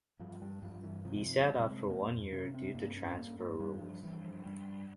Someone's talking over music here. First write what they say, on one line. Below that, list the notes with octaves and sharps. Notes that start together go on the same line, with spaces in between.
He sat out for one year due to transfer rules.
G2 F3
G3
G2 F3
E3
C3 F3
C3 G#3
G3
G#3
F2 A#3
C3 C#4
C4
G2 A#3
C#4
G2 A#3
A#3
G2 G3
F3
G2 E3
F3
G2 G3